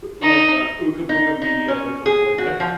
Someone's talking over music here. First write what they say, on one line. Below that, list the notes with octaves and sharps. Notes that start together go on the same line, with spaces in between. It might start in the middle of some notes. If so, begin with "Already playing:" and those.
Like, uh, Ooga Booga Media or something like that.
D#4
D#4
D#4
C#4
G#4
F#4
F3